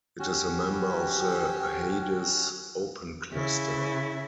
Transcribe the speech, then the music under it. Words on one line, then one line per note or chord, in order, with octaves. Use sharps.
It is a member of the Hyades open cluster.
C#4 F#4 G4
C#3 E4